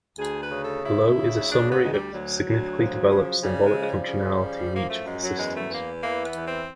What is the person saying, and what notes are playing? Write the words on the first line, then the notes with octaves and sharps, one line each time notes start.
Below is a summary of significantly developed "symbolic" functionality in each of the systems.
D2 G#4
B4
C#3
A4
D2 E4
C#3
D2 D4
B3
D2 G#3
G3
D2 F#3
D2
F3
C#3
C#3 G3
G#3
F3
G#3
G3
C#3
F3
F#2 A#3
A3
F#2 G#3
F#3
E2 G#3
A3
E2 A#3
E3 A#3
B3
E2
C4